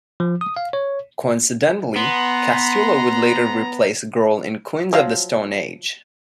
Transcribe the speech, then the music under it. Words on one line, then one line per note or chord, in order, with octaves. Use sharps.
Coincidentally, Castillo would later replace Grohl in Queens of the Stone Age.
F3
D#6
F5
C#5
B3 A#5 C6
F3 F#3 F5